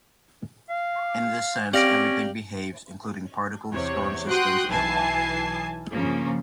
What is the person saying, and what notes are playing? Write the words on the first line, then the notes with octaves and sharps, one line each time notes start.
In this sense, everything behaves, including particles, storm systems, and law.
F5
C4 C#4 G4 D5 F5 A#6 D7
E2 C3 C#5
F#4 G5 C6 D#6 F#6
B1 E3 G#5 A5 C7
G2 C#3 F3 A#3